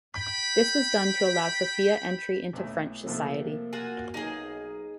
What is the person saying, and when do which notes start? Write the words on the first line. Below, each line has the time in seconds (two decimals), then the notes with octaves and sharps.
This was done to allow Sophia entry into French society.
0.16 G5 B5
2.53 B1 A2
3.06 C3 F3 A3 A#3
3.73 F4 F#4 G#5
4.14 B1 A#3 D#4 G#4